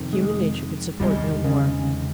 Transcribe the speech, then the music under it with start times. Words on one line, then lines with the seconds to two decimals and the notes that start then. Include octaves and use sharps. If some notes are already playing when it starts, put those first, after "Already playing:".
Human nature could support no more.
Already playing: F2 C3 D#3
0.13 G#3
1.00 E2 C3 D#3 G3 G#3
1.44 C#3